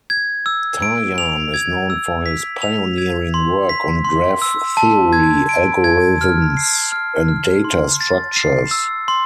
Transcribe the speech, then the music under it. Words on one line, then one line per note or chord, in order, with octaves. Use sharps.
Tarjan is known for his pioneering work on graph theory algorithms and data structures.
G#6
E6
D7
F7
G#6
E6
B6
F7
G#6
C6
B6
C6
E6
A5
G#6
D7
G#6
F6
C7
F6
F6
C6
A6
C7
E6
C6